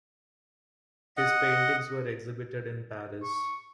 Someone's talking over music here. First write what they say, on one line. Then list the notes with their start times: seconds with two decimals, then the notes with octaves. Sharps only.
His paintings were exhibited in Paris.
1.17 D#5 F#5
3.23 C#6